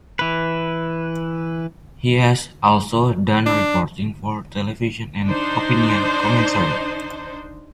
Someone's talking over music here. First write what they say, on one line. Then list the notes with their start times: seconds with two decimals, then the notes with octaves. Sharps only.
He has also done reporting for television and opinion commentary.
0.19 E3 B4
3.46 D4
5.24 D4 D#4 C5